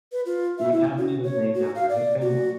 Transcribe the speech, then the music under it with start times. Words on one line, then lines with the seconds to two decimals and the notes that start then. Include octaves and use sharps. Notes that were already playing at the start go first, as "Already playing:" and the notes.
The Academy was named after his family.
0.12 B4
0.26 F4
0.58 E5
0.72 E4
0.97 F#4
1.24 C#5
1.54 F#4
1.75 F5
1.89 D5
2.21 F#4